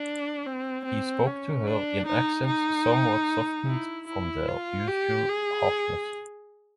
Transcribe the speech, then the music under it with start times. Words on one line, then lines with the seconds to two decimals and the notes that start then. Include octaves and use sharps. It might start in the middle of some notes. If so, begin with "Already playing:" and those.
He spoke to her in accents somewhat softened from their usual harshness.
Already playing: D4
0.46 C4
0.85 C4
1.26 C#4
1.67 D4
2.06 D#4
2.46 D#4
3.67 E4
4.07 E4
4.48 F4
4.88 G4
5.29 G#4